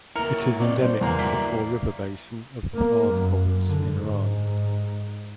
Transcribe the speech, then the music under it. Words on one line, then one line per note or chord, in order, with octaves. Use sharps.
It is endemic to the Kor River basin of the Fars Province in Iran.
A#3 E4 A#4 C#7
F#3
A#2 B3 C4 D#4 D5
G3 C5
E2 C#3 E3 A#3 F5 A#5
F#4 D5 E5 B6
A#3
F#2
D3
G#2